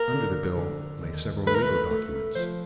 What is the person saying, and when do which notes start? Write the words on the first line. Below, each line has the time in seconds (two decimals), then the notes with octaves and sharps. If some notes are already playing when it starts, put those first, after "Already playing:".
Under the bills lay several legal documents.
Already playing: A#3 A#4
0.12 D3
0.57 D3
1.01 D#2
1.47 A3 B4
1.55 A#4
1.63 B4
1.91 A3
2.35 F3 C5